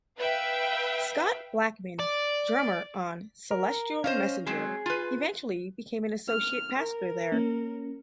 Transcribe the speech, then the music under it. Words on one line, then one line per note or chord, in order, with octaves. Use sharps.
Scott Blackman, drummer on "Celestial Messenger", eventually became an associate pastor there.
B4 E5 F5 G5
D5
A#4
C#4 C5 D#5 F5
F#3 G#3 C4 G#4
F4 B4
F6
A#4
A#3 C#4